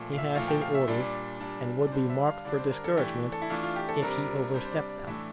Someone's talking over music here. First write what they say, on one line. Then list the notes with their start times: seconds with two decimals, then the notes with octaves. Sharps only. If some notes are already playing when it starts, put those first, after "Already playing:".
He has his orders, and would be marked for discouragement if he overstepped them.
Already playing: A#2 F3 A3
0.13 F5
0.18 E5
0.35 A#2 F3 A3 F5
0.48 G5
0.62 F5
0.75 E5
0.88 A#2 G3 D4 D5
1.40 A#2 G3 D4
1.87 D5
1.92 D3 G3 D4 C5
2.10 E5
2.27 F5
2.45 D3 G3 D4 D5
2.58 C5
2.71 A#4
2.84 A4
2.97 E3 A3 D4 G4
3.33 A4
3.42 E4
3.50 E3 A3 D4 F4
3.63 F4
3.76 G4
3.89 A4
4.02 C3 G3 D4 A#4
4.54 C3 G3 D4 C5
4.65 C5
4.72 D5
4.89 D5
5.07 A2 E3 A3 D4 E5